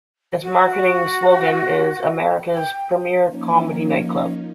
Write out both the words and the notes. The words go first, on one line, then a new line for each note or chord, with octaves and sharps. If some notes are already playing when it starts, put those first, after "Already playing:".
Its marketing slogan is America's Premiere Comedy Nightclub.
F#4
G5
F3 A#3 C#4 D#4